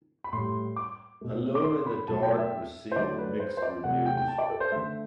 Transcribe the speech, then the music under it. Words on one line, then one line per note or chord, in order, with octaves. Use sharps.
"Alone in the Dark" received mixed reviews.
B5
A2 G3 C6
D6
B2 A3
D6
C6
B5
B2 F#3 A3 A5
G5
E5
C5
D3 F#3 A3 D5
B4
C5
C5
D5
C3 F#3 A3 F#5
G5
G5
A5
D5
A4
C5
D3 A3 E5